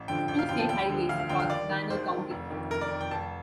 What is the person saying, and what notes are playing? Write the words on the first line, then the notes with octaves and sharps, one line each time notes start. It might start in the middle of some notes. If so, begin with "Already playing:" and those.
Two state highways cross Banner County.
Already playing: A1
G2 D3 F3 G5
A1 G5
F5
G2 D3 F3 G5
A5
D2 G5
D3 F3
D2 F5
F5
D3 F3 G5
F5
D#2 D5
D#3
D#2 C5
D#3
F1
F2 D#3
F1 A#4
D5
F2 D#3
G5
F1 A5